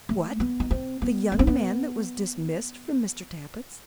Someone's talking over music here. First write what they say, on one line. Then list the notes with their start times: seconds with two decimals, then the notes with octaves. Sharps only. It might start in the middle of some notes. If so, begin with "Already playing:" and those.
"What! the young man that was dismissed from Mr. Tappitt's?"
0.09 A3
0.40 B3
0.60 D#4
0.71 C4
1.02 B3
1.32 B3
1.39 C4
1.47 B3